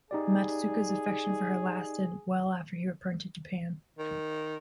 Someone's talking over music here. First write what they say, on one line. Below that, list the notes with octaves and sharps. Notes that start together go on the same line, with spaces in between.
Matsuoka's affection for her lasted well after he returned to Japan.
D#4 G4 G#4 D5
D#3